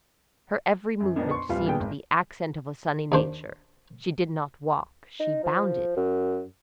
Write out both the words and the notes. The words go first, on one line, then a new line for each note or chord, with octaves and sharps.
Her every movement seemed the accent of a sunny nature; she did not walk--she bounded.
F#2
F2 A#2 A#3 B3 D4 D#4
C6 C#6
D1 C3 G3 F4 B4 F5
A#2 D3 B3 G#4 G5
G#1
D#2 D4 C5
D#4
F3
F#2